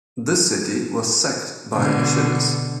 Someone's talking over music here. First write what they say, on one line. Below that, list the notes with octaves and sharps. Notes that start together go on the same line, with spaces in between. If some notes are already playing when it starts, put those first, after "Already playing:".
This city was sacked by Achilles.
B2 D3